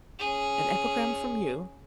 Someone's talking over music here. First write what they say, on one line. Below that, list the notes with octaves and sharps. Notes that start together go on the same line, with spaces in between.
An epigram from you?
C#4 G#4